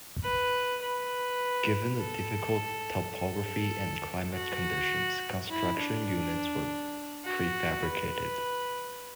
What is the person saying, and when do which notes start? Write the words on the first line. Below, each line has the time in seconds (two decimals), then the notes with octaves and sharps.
Given the difficult topographic and climatic conditions, construction units were prefabricated.
0.23 B4
0.82 B4
1.99 A4
3.16 A4
4.33 F#4
5.49 E4
5.79 D4
7.25 F#4
7.83 B4